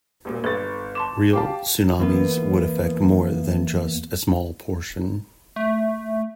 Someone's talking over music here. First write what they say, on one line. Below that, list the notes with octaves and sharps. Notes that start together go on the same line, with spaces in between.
Real tsunamis would affect more than just a small portion.
E1 A#2
G1 A4 A6
A5 C6 D6 E7
G4 F5 A5 D6
E2 A#3 B3
A3